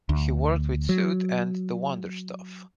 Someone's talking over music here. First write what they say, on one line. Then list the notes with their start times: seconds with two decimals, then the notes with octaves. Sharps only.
He worked with Suede and The Wonder Stuff.
0.09 D2
0.89 F#3